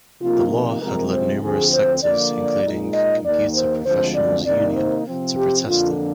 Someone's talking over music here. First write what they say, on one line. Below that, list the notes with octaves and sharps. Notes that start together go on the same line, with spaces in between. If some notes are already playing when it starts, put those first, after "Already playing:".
The law had led numerous sectors including Computer Professionals' Union to protest it.
C3 F3 A#3 D#4 F4
C3 F3 G#3 C4 A#4
C5
D2 D3 F3 C4 G#4
C5
D3 F3 A#3 D5
A#2 G#3 D#4
D#5
D#2 D#3 A#3 D5
C5
D2 D3 F3 G#3 C4 C5
D5
C3 D#3 A#3 D#4 D5
C5
C3 F3 C4
G4
F2 D3 F3 A#3 D4 F4